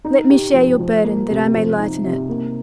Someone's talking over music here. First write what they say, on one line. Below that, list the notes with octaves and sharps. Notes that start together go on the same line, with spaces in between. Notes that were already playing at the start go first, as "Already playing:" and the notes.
Let me share your burden that I may lighten it.
D#4
G4
F3
F3
A#3
C3
F3
D#4
C3
A#3